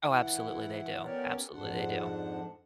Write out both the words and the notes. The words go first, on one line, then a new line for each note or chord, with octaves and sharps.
Oh, absolutely, they do. Absolutely, they do.
E3 E4 F#5
B3 C#4 G4 A#4 C#5 D5
F2 G#2 D4 F#5